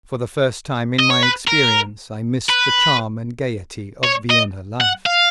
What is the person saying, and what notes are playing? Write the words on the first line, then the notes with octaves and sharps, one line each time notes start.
For the first time in my experience I missed the charm and gaiety of Vienna life.
D#5
C#5
B4
A#4
B4
C#5
D#5
F#5
F5